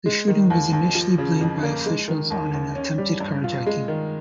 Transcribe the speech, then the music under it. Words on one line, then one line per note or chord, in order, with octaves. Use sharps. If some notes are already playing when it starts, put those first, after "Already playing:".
The shooting was initially blamed by officials on an attempted carjacking.
G#3
D#3
D#2
D#2
F3
C#3
F2
A#3
G#3
D#3
D#2
D#2
C#4
G3
G2
F4
G#3
D#3